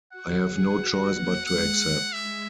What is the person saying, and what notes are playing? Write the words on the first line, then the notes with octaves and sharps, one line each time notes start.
I have no choice but to accept.
F#4 F#5
G#4
F#4
A#3
G#3 F#5
G#3 E5